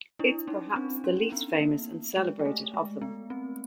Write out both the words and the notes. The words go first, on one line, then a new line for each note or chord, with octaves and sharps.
It is perhaps the least famous and celebrated of them.
D4 E4
C#4 D#4
C4 D4
C#4
B3
A#3
G#3
G#3
A3
G#3
B3
C4